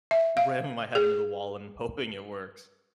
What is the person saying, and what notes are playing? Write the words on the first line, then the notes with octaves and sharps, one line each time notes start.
ramming my head into the wall and hoping it works.
E5
F5
G#4